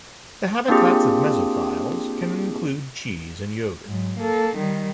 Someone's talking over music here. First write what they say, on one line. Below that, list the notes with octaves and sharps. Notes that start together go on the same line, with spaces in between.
The habitats of mesophiles can include cheese and yogurt.
A#3 C4 D4 F4 G4 G#4
G#2 F#3
A#3 A4
D#3 G3